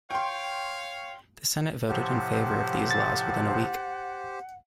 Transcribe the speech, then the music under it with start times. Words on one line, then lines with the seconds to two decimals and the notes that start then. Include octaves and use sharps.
The Senate voted in favour of these laws within a week.
0.11 C#5 F5 G5 C6
1.88 A2 C3 F3 G4 C5 F#5
2.91 A6